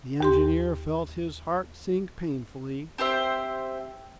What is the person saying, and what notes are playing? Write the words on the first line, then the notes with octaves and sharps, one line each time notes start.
The engineer felt his heart sink painfully.
D#2 G4 C6
C4 G4 C5 E5